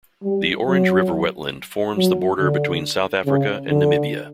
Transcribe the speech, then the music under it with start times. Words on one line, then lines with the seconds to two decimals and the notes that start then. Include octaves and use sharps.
The Orange River wetland forms the border between South Africa and Namibia.
0.24 G3
0.67 F#3
1.96 F#3
2.40 D3
3.26 C#3
3.69 D3